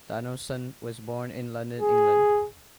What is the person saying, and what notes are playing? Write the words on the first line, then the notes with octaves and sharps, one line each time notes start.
Donaldson was born in London, England.
G#4